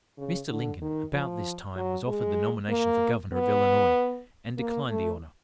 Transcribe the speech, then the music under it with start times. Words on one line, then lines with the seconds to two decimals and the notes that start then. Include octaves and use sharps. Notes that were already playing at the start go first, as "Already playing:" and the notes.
Mr. Lincoln, about this time, was offered the nomination for Governor of Illinois, and declined the honor.
0.18 C#3
0.49 D3
0.82 D#3
1.13 F3
1.76 F#3
2.07 G#3
2.69 A#3
3.33 B3
4.58 A#3
4.90 A3